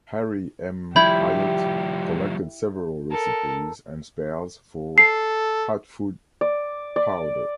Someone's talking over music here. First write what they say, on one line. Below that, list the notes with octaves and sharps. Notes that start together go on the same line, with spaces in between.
Harry M. Hyatt collected several recipes and spells for hot foot powder.
F3 G3 E4 G4 B5 G6 G#6
A4 A#4
A4 C7
D5
D5